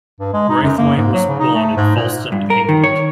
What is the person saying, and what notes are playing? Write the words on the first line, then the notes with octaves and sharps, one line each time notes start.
Braithwaite was born in Folston, England.
G2
G#3
D#4
F#2
A#3
G#2
F#3
C#3
D#4
A3
G#2
A#2
G2
A#4
D#3
C#5